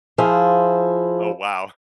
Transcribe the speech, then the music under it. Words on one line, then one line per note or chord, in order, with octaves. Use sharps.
Oh, wow.
F3 E4 F4 G#4 C5